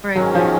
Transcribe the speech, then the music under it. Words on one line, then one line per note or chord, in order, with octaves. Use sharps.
Right. Right.
G#2 D#3 F#3 G#3 C#4
F3